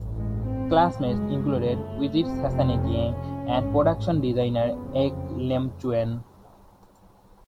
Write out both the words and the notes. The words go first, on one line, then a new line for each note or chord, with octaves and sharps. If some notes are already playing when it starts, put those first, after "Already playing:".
Classmates included Wisit Sasanatieng and production designer Ek Iemchuen.
Already playing: A1 G2
G#3
C4
G1 F#2 C#3 G#3
A3
F1 F2 C3 C4
C4
C#4
A1 G#2
F#1 F2 C#3 B3
C4